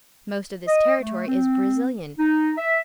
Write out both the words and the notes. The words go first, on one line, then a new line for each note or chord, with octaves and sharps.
Most of this territory is Brazilian.
D#5
A3
C4
D#4
E5